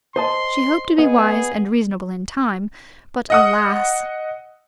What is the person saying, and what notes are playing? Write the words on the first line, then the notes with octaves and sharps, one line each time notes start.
She hoped to be wise and reasonable in time; but alas!
C5 D#5 A5 C6
B3 G#4 D#5
D#5 F#5 D#6